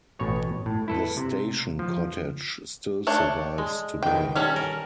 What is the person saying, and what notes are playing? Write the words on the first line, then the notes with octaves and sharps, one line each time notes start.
The station cottage still survives today.
A1 B2 C#5
A2
E4 A4 B4
C3
F3
A3 D4 C#5
G#3
B2 D#3 G5
G3 C#4 A4
A#4